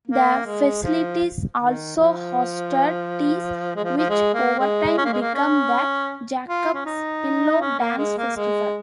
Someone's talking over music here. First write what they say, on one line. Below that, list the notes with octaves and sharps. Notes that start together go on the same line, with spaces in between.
The facilities also hosted teas, which, over time, became the Jacob's Pillow Dance Festival.
A#3
G#3
F3
D#3
F3
G#3
F3
F3
G#3
A#3
G#3
C#4
A#3
G#3
A#3
C#4
F4
C#4
D#4
C#4
A#3
G#3
A#3
G#3